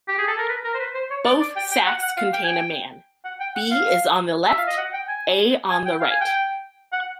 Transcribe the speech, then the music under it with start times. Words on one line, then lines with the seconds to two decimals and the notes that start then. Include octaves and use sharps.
Both sacks contain a man; B is on the left, A on the right.
0.08 G4
0.18 G#4
0.28 A4
0.38 A#4
0.48 B4
0.64 A#4
0.74 C5
0.79 B4
0.94 C5
1.10 C#5
1.25 D5
1.40 D5
1.56 G5
1.71 G5
1.86 F#5
2.02 F#5
2.17 F5
2.33 G5
2.44 G#5
2.48 G5
3.24 F#5
3.40 G5
3.55 F#5
3.71 F5
4.48 E5
4.57 F5
4.67 D#5
4.78 F#5
4.93 G5
5.08 G#5
5.70 G#5
5.86 G5
6.01 F5
6.11 G#5
6.21 G5
6.93 F#5